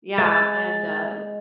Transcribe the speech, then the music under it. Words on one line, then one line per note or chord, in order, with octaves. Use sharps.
yeah, and, uh
G#3 A6